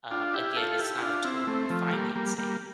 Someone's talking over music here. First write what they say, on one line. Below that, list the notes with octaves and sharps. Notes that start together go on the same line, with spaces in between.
Um, again, it's not a total refinancing,
D4 F4
E4 G4
F4 A4
E4 G4
E4
D4 F4
C4 E4
A3 C4
F3 A3
G3 A#3
G3 A#3
G3 A#3